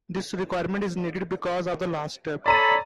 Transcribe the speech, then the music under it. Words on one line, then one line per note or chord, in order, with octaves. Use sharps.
This requirement is needed because of the last step.
A4 C#5 D5 A#5 B5 D#7